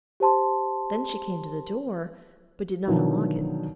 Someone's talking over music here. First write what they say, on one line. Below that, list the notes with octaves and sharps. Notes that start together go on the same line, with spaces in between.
Then she came to the door, but did not unlock it.
G4 C5 A5 C6
B2 D3 D#3 F3 F#3 E4